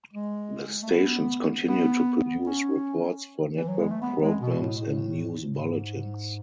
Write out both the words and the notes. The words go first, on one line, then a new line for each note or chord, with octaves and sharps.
The stations continued to produce reports for network programs and news bulletins.
G#3
A3
B3
B3
C#4
E3
F#3
G#3
A3
B3
G#3
B2
A2
A2
G#2